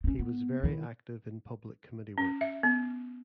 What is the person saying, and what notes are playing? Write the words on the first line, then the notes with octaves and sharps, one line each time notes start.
He was very active in public committee work.
C4 C#4
B3
D#3 E4
C#4
E5
B3